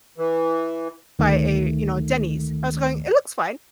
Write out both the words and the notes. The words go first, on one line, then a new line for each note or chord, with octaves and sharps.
by a, you know, Denny's. I was going, "It looks fine."
E3
D2 D#3 A3